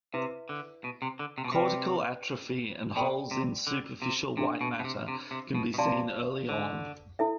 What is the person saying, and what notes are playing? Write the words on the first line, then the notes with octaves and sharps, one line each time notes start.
Cortical atrophy and holes in superficial white matter can be seen early on.
C3 E4 B4 E5
D3
B2
C3
D3
C3
B2
C3 B4 D5 G5 B5
B2 A4 D5 G5 B5
C3
D3
C3
C3 D4 A4 E5
B2
B2
C3
C3
C3
B2
B2
C3 G4 D5 F5 A5 C6
D3
E4 A4 E5